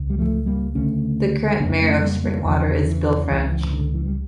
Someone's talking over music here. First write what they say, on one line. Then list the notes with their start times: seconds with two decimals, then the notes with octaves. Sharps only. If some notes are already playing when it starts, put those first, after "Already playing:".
The current mayor of Springwater is Bill French.
Already playing: C#2
0.10 G3
0.18 F3 A3
0.46 G3 A#3
0.75 D2 C#3 A3 C#4
1.60 F2 C#3 A#3 D4
1.81 A3 C#4
2.02 G3 A#3
2.24 G3 A#3
2.45 E2 C#3 F3
2.59 E3
2.73 D3
2.87 E3
3.30 C#2 C#3 E3
3.52 E3
3.73 D3
3.94 E3
4.06 G3